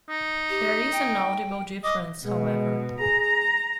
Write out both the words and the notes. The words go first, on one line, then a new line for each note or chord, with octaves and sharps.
There is an audible difference, however.
D#4
G4
G5
D#5 D6
B2 G#3
G#4 A#5